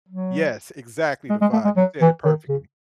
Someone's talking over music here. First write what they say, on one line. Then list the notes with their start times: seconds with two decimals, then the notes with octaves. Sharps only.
Yes, exactly the vibe, you said it perfectly.
0.09 F#3
1.30 G#3
1.41 G#3
1.53 A3
1.65 G#3
1.77 F#3
2.01 E3
2.25 D#3
2.49 C#3